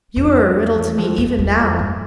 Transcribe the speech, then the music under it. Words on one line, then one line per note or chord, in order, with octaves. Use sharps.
You are a riddle to me even now.
F2
E2
F2
F2
E2
F2
G2